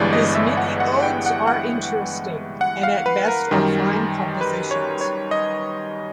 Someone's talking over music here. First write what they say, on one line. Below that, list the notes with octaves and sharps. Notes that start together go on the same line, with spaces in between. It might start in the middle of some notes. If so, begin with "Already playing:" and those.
His many odes are interesting, and at best are fine compositions.
Already playing: G1 G2 E3 G#3 D5
D#5
E5
F#5
F#5
G5
F#5
F#5
F#5
F5
B4
A#4
F#2 D#3 G3
B4
C#5
C#5
D#5